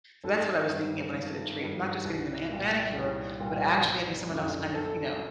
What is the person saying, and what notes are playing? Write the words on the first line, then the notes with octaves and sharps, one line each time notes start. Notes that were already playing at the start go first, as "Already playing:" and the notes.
So, that's what I was thinking of when I said "a treat," not just getting the man manicure, but actually having someone else, kind of, you know,
G#1 A4
G2 D#3
G#1
G2 D#3
C2
A#2 G3
C2
A#2 G3
G1
F#2 D3
A4